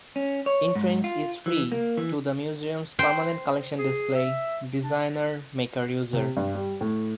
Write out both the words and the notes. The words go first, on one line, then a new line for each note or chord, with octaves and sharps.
Entrance is free to the museum's permanent collection display, "Designer Maker User".
C#4
C#5
G#2
F4
E3
A#3
E3
C5 G5
G#4
E5
D4
C3
G2
G3
A2